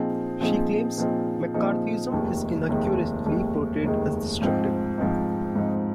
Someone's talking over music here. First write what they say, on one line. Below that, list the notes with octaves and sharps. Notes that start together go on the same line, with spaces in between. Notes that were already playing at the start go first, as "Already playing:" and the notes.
She claims McCarthyism is inaccurately portrayed as destructive.
Already playing: A#2 F3 C4 D#4 G#4
A#2 F3 C4 D#4 G#4
A#2 F3 C4 D#4 G#4
A#2 F3 C4 D#4 G#4
F1 D#2 D#3 G#3
F1 D#2 D#3 G#3
F1 D#2 D#3 G#3
F1 D#2 D#3 G#3
G#2 F3 C4 D#4
G#2 F3 C4 D#4
G#2 F3 C4 D#4